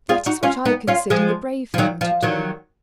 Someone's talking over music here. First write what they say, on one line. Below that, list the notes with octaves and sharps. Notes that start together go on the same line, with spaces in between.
That is what I consider the brave thing to do.
F4 G#4
D#4 F#4
C#4 F4
B3 D#4
C#4 F4
F3 G#3
F3
D#3 F#3
F3
D#3 F#3